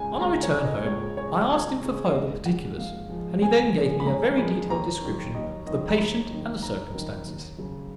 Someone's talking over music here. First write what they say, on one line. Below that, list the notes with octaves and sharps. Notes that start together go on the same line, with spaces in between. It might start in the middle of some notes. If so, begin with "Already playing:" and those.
On our return home I asked him for further particulars, and he then gave me a very detailed description of the patient and the circumstances.
Already playing: C#2 C#3 G#3 G#5
C#2 A#5
C#5
C#3 G#3
D#5
C#2 C#5
C#3 G#3 C#5
C#2
C#3 G#3
F5
G#2 D#5
F3 G#3 F#5
G#2 F5
F3 G#3
G#2 G#5
F3 G#3
B5
G#2 A#5
F3 G#3 B5
D#2 A#5
D#3 F#3
D#2 D#5
D#3 F#3 D#5
A#5
D#2 B5
D#3 F#3
D#2 A#5
D#3 F#3
D#2
C#3 F#3